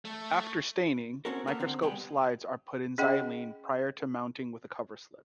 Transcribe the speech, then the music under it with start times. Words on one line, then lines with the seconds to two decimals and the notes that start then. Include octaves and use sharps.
After staining, microscope slides are put in xylene prior to mounting with a coverslip.
0.05 A3
1.25 C4 C#4 F#4 A4 A#4
1.47 A#3 B3 A4 A#4
1.60 D3 C4
1.82 C2 G3 G#3 B3 G5
2.98 C#4 G#4 D#5 F#5 G5